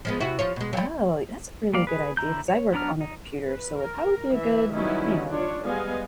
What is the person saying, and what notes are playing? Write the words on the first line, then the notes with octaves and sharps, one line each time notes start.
Oh, that's a really good idea 'cause I work on a computer, so, it probably be a good, you know,
F3 G#3 B3
C3 E4 F#4
F3 F4 C#5
B2 G#3
F#3 G3
G3 A#3 D5 F5
G#4 B4
D3 E4 A#5 G6
C#5
F#3 B3 D4 A#5 F6
D#4
B4
A#4
E3 E5
D#3 F#3 G3 B3 C#4 E4
D4 F4 C#5
G3 G#3 B3 D#5 F5 G#5